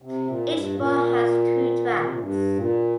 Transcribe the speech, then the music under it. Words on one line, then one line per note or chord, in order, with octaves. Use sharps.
Each bore has two tracks.
C3
A#2
G2
A#2
D#3
C3
A#2
G2
A#2